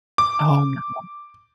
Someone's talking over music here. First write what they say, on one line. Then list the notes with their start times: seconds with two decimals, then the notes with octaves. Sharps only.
Oh, no.
0.18 D6